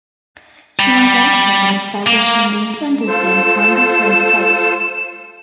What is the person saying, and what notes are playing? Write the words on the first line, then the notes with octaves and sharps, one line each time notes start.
He was active in establishing the intendancy in Congo Free State.
G3
A#3
F4 A4 C5 E7